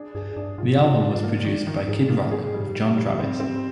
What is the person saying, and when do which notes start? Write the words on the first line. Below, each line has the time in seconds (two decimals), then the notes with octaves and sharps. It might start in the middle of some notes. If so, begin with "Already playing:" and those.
The album was produced by Kid Rock with John Travis.
Already playing: D4 G#4
0.15 G2 G#4
0.36 G2 D4
0.58 G#2 F4
0.80 F4
1.02 D4
1.23 A#3
1.44 D#3
1.67 D#3
1.88 G#2 G#4
2.10 A#3
2.31 G#4
2.54 G3
2.75 G3
2.97 G3
3.18 G#2 C4
3.40 C4